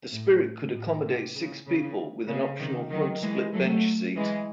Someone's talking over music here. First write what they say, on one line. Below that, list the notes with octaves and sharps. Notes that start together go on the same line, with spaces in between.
The Spirit could accommodate six people with an optional front split-bench seat.
A2
A2
C3
C#3
C#3
C#3
C3 D#3
D#3 F#3
E3 G#3
F#3 A3
E3 G#3